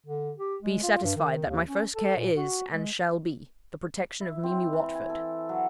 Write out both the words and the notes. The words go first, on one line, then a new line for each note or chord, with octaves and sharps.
Be satisfied that my first care is, and shall be, the protection of Mimi Watford.
D3
G4
G#3
F4
G2
D#3
D#2
C#4
A4
A#2
F#4
G#3
E4
C4
E3
G#5
A4
F#3